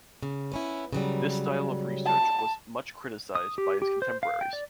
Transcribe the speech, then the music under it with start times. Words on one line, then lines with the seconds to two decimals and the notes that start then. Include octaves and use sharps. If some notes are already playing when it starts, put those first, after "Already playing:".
This style of research was much criticized by his contemporaries.
0.22 C#3
0.52 B3 C#4 E4
0.92 C#3 F#3 G3
2.06 A5
3.35 D#6
3.58 G4
3.82 G4
4.02 C5
4.23 F5
4.41 G5
4.53 D5